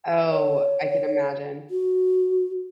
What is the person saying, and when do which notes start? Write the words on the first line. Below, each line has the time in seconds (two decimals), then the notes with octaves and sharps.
Oh, I can imagine.
0.31 C#5
1.70 F#4